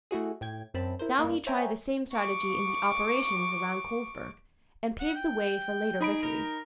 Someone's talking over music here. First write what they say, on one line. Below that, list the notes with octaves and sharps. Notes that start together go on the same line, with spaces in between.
Now he tried the same strategy in the operations around Colesburg--and paved the way for later victory.
A3 E4 F#4 G#4
A2 G5 G#6
F#2 C4 A5 B5
E4 A#4 C5
G2 A#3
C5 C#5 E5 G5 G#5 A#5
C#6 D6
F#5
G5
D#4 G#4 B5 D7
A#4